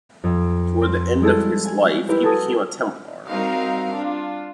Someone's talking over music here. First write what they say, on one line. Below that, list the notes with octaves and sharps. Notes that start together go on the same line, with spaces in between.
Toward the end of his life he became a Templar.
F2
C4
G3 G#3 E4 G#4 A4
G#5
E4 G4 A#4 B4
F#4 A4 G#5 A5 D#6 A#6
G3 C4 D#4 F#4 A#4 F5
D4 F4